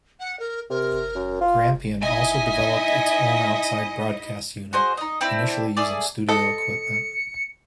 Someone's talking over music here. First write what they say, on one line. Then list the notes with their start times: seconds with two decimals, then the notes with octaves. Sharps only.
Grampian also developed its own outside broadcast unit, initially using studio equipment.
0.20 F#5
0.39 A#4
0.70 C3 A#4
1.15 F#2
1.40 F4
2.03 D#4 E4 D#5 E5 G#5
4.73 F#4 G#4 C5 D#5
4.97 D#4 D#5
5.21 C4 D4 E4
5.77 A3 G#4 D5
6.29 A4 D#5 C#7